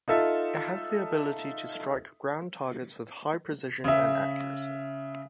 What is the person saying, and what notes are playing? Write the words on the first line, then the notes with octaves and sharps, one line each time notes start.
It has the ability to strike ground targets with high precision and accuracy.
D#4 F4 A4 E5
C#3 E5